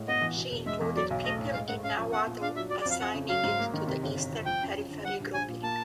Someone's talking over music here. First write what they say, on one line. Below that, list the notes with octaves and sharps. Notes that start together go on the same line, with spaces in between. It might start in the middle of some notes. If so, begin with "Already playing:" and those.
She included Pipil in Nahuatl, assigning it to the Eastern Periphery grouping.
Already playing: A2 G#3
B3 D#5
E3
B2
E1
G#3 E5
E2
F#3 D5
B1
A3 D#5
A2
G#3 F5
G#2 F#5
C#4 F5
F3
B3 F#5
A#2
D4 F5
F#3 E5
F#3 D5
D5
F2
F5
F2 F#5
C#3
F#3 F5
G#2
A#3
D#3
C3
G1
G1
F2
F3 G5
F#2
F#2
D3
G3 F#5
A#1
A#1 G#5
A#2
A#3 A5